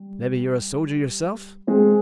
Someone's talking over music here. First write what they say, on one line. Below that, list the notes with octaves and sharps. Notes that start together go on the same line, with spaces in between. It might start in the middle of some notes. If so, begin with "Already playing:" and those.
"Mebbe you're a sojer yourself?"
Already playing: G3
G#3 C4